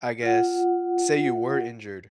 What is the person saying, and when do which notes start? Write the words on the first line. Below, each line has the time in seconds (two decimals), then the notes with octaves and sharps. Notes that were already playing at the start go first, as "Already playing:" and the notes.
I guess say you were injured,
0.23 F4 F#5